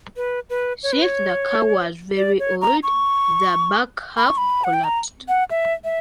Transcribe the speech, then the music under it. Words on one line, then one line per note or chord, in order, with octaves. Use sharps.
Since the car was very old, the back half collapsed.
B4
B4
C#5
B4
C#5
D5
C#5
A#5
C#6
B5
C#6
B5
F#5
G5
A#5
F#5
E5
E5